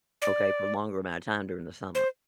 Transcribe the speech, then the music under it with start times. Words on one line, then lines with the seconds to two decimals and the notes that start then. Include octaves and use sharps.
okay, for a longer amount of time during the summer,
0.22 D5
1.95 C5